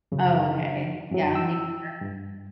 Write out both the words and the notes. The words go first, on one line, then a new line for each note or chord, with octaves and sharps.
Oh, okay. Yeah. Mean girl.
F#2 C#3
F#2 F#3
G5 E6
G2